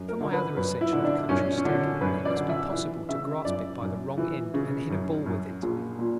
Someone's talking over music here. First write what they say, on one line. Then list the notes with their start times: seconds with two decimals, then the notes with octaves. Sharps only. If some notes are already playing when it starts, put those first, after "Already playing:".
And, for my other essential of a country stick, it must be possible to grasp it by the wrong end and hit a ball with it.
Already playing: F#2
0.08 A#4
0.21 D3
0.33 B4
0.56 F#2 B4
0.81 E4
0.93 D3
1.05 D4
1.29 F#2 C#4
1.58 C#4
1.65 D3 D4
2.01 F#2 B4
2.25 D5
2.37 D3
2.49 E5
2.73 E3
3.09 C#3 E5
3.45 F#2 D5
3.82 F#2
4.18 E3
4.54 C#3
4.90 F#2
5.26 F#2
5.62 A#1
5.99 A#2